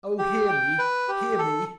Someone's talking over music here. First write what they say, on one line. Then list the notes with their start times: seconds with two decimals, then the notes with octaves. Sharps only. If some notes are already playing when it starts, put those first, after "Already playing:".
Oh, hear me! hear me!
0.18 G4
0.48 G5
0.78 B4
1.08 G4
1.38 A4